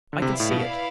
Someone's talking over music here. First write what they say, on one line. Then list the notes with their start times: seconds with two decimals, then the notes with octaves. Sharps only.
I can see it.
0.13 D3
0.21 C3 E4 B4 D5 F5
0.40 A2
0.51 B2